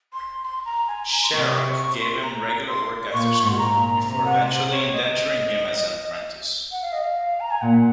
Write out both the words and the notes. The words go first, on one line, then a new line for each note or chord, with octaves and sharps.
Sharrock gave him regular work after school, before eventually indenturing him as an apprentice.
C6
C6
A#5
G#5
A#5
C6
C3 C#6
D#6
C#6
C#6
C6
A#5
C6
A#2 C#6
G#2 C#6
C6
A#5
A#2
C3 A#5
F#5
C#5
D#5
F#5
F5
D#5
F5
A#5
G#5
A#2 F#5